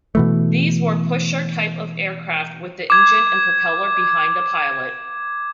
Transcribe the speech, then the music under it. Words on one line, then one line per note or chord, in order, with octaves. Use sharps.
These were "pusher" type of aircraft with the engine and propeller behind the pilot.
B2 E3 A3
D6 G#6